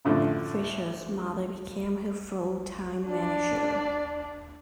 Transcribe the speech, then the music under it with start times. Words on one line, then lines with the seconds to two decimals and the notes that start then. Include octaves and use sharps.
Fishel's mother became her full-time manager.
0.05 F#2 A2 D3 F3
3.08 D4 D5